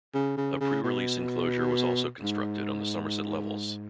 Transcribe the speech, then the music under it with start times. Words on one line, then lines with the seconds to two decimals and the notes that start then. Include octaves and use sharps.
A pre-release enclosure was also constructed on the Somerset Levels.
0.14 C#3
0.37 C#3
0.60 C#3
0.83 B2
2.22 G#2